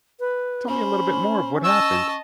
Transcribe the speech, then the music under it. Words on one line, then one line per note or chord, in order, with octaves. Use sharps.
tell me a little bit more of what happened.
B4
C#4 C5 B5
D#5 A5 C#6 E6